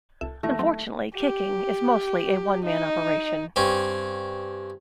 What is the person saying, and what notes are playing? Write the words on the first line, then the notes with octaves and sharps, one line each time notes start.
Unfortunately kicking is mostly a one-man operation.
C2 A4 E5
D#2 E3 A3 A#6
F#3 C4
G4
D#4
G2 C4 C#4